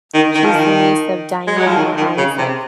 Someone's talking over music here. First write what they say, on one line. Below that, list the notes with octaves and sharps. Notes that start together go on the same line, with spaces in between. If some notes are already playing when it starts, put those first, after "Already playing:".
She is the niece of Diana Isaac.
D#3
D#3
F3
D#3
G#3
F#3
F3
D#3
D#3
C#3
C3